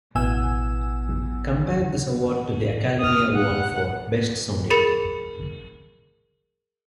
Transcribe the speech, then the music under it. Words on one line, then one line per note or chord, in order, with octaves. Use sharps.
Compare this award to the Academy Award for Best Sound Editing.
A1 B2 B3 G#5 E6
D#6 F6
F#5
G#4 A#4 B5 A6 C#7 F7